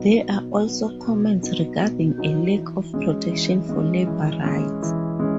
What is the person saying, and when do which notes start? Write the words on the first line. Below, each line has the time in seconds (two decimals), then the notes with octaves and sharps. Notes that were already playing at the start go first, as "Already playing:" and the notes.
There are also comments regarding a lack of protection for labour rights.
Already playing: B2 F#3 B3 D#4
0.29 B2
0.67 F#3 B3 D#4
1.04 B2
1.42 F#3 B3 D#4
1.80 B2
2.18 F#3 B3 D#4
2.56 E3
2.94 G#3 C#4
3.31 E3
3.69 G#3 C#4
4.07 E3
4.44 G#3 C#4
4.82 E3
5.20 G#3 C#4